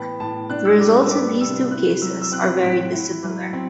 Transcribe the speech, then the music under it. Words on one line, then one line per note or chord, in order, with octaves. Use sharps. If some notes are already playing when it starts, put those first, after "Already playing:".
The results in these two cases are very dissimilar.
Already playing: A2 E3 B3 G5 A5 B5
A2 A5
D4 F#6
E6
G3 D6
E6
B3 D6
C3 E6
E4 F#6
F#3 E6
E6
C4 F#6
A2
E4
F#3
C4